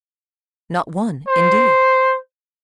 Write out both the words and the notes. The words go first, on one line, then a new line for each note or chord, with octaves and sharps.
"Not one, indeed."
C5